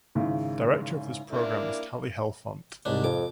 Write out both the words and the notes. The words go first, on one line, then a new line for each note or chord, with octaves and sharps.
Director of this program is Tally Helfont.
G#1 G#2 C#3 E4
A#3 D4 E4
C2 G#2 D4
F2 D6